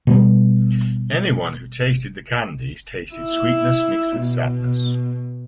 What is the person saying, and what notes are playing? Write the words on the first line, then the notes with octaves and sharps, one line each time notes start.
Anyone who tasted the candies tasted sweetness mixed with sadness.
B2 G3 B3
E4
B2